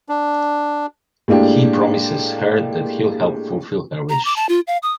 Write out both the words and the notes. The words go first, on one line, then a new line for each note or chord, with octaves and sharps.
He promises her that he’ll help fulfil her wish.
D4
A2 G#3 A#3 D4 G4
A#5
D6
A5
F4
F5
D#6